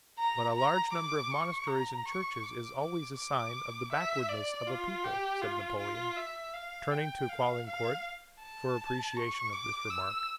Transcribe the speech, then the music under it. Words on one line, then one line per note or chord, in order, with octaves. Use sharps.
"But a large number of monasteries and churches is always a sign of the backwardness of a people," said Napoleon, turning to Caulaincourt for appreciation of this remark.
A#5
A#5
D6
C#6
A#5
C#6
D6
D6
D6
E5
D5
F4
G4
F4
F4
E5
F5
G5
F5
F5
A5
C#6
D6
E6